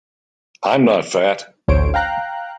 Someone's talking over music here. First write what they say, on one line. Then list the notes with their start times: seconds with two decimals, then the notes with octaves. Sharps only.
I'm not fat.
1.68 A1 D2 C5 C#5 D7
1.94 F5 G5 A#5 F#6